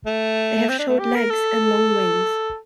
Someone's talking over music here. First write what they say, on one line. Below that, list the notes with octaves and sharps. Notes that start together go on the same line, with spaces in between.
They have short legs and long wings.
A3
C4
D4
A3
G4
A#4
A4